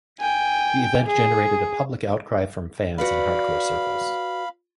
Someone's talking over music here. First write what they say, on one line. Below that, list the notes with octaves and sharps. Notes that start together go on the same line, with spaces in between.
The event generated a public outcry from fans in hardcore circles.
G5 G#5
G#4
F#4 B4 D5 F5 B5